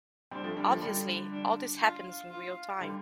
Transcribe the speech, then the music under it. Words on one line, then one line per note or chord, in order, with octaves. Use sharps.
Obviously, all this happens in real-time.
G3 C4 D4
F3 A3
D3 G3
F3 A3
D3 G3
D4
F4
F4
D3 G3